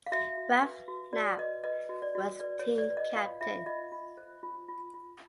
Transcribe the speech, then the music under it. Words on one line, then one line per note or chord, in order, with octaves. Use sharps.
Ralph Knapp was the team captain.
F5
F#4 E5
F#4
B4
F#4
F#4 D5
B4 D#5
B4 D#5
F#4
D5
F#4
B4 D5
C#5
B4
D5
B4
D#5
F4 F5
F4 E5
F4 D#5
F4
C5
F4
F4
F4